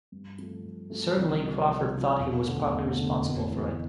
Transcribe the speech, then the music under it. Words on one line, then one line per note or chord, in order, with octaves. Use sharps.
Certainly Crawford thought he was partly responsible for it.
G2
F3 A3
G2
F3 A3
C2
C3 F3
C2
C3 F3
E1
D2 D3
E1
D2 D3
F1
E2 C3 E3 B3